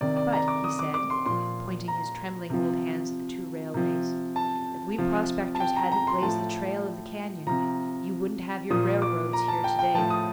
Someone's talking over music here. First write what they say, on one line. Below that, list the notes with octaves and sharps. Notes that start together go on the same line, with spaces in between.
'But,' he said, pointing his trembling old hands at the two railways, 'if we prospectors hadn't blazed the trail of the canyon, you wouldn't have your railroads here to-day.
C3 D#3 D5
D5
A#5
D6
D#6
D6
D6
C6
A#2 F3 C6
A#5
C3 F3
C3 F3
A5
C3 F3
A5
G5
A#5
A#5
C6
A2 F3 A5
C3 F3 A#5
A#2 F3 D#6
D6
A#5
A5
G5
G5
A2 F3 A5
D#6